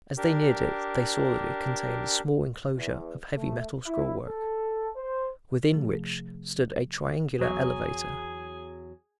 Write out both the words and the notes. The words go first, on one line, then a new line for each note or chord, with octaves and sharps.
As they neared it they saw that it contained a small enclosure of heavy metal scrollwork, within which stood a triangular elevator.
D4 G4 A#4
E2
A3
E4
A4
C5
C3 F3 A3 G#4
E2 F#3 G#4 G#5